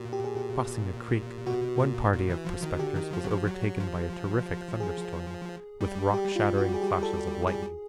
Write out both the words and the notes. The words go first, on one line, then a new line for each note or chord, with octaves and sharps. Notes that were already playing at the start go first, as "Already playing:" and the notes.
Crossing a creek one party of prospectors was overtaken by a terrific thunderstorm, with rock-shattering flashes of lightning.
Already playing: A#2 F#4 G4
G4
G#4
G4
B2 F#4
A#2
A#2
E3
F3
D#3
D3 G4
D#3
F3
F#3
F3
F#3
F3
G#4
G3
G4
F4
F#4
G#4
G4
A4
G3 G#4